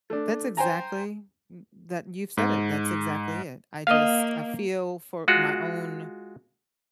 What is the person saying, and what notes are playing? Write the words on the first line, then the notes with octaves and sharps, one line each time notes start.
Th that's exactly m that you've said it, that's exactly it, I just I feel for my own,
A3 D4
C5 G5 G#5 A#5
G#2
A#3 D#5 F5
G#3 F4 F#4